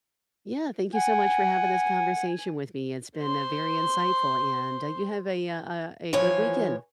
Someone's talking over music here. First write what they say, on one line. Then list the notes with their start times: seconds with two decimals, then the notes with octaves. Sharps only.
Yeah, thank you so much for having this conversation with me, it's been, uh, very insightful, and, uh, you have a, uh, uh, a good weekend.
0.95 F#5 G#5
3.19 C5 C6
6.13 E3 F3 C#5 G#5